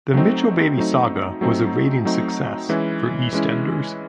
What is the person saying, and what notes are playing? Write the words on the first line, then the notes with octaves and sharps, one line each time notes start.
The Mitchell baby saga was a ratings success for "EastEnders".
F#3 A3 C4 D#4
F#3 A3 C4 D#4
F#3 A3 C4 D#4
F#3 A3 C4 D#4
E3 G#3 C#4 E4
E3 G#3 C#4 E4